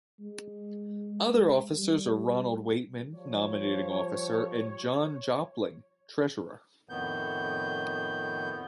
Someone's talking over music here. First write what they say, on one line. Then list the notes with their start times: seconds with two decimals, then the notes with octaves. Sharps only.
Other officers are Ronald Weightman, nominating officer, and John Jopling, treasurer.
0.20 G#3
1.78 G3
3.15 F3 G3 C#5
6.89 F2 A2 D#3 B3 G6